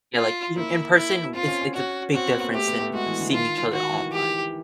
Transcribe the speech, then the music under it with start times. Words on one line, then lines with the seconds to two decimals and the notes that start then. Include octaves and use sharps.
Yeah, like, being in person, w it's it's a big difference than seeing each other online.
0.16 F4
0.56 A#3 E4
0.96 E4
1.35 C4 F4
1.48 C#4
1.61 C#4
1.75 C#4 F#4
2.14 C4 F#4
2.28 B3
2.41 A#3
2.54 A3 G4
2.67 B3
2.80 A3
2.94 G#3 F#4
3.06 E3
3.20 D3
3.33 D#3 F4
3.73 D#3 F#4
3.93 E3
4.12 G4